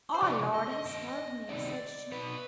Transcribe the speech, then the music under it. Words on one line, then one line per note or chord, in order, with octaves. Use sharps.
"OUR LORD has helped me," said she.
C5
C3 F3 G#3 D4 D5
D#5
D#5
G2 D#3 D#5
C3 D#3 G3 C4 D#4 D5
B2 B3 D#4 B4